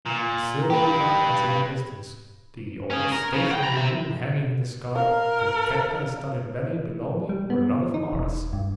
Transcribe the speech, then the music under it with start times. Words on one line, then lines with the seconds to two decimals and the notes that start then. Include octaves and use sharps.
The silvered mountains in the distance, the almost stationary moon hanging in the sky, the cacti-studded valley below me were not of Mars.
0.06 A#2
0.70 G4 B4
2.91 C#4 G#4
3.12 A#4
3.33 C#3
3.51 F#5 G5
3.64 A#5 B5
3.77 C3 E5
4.95 A#4 F5
7.29 G3
7.50 B3
7.94 D#4
8.13 E1
8.53 G2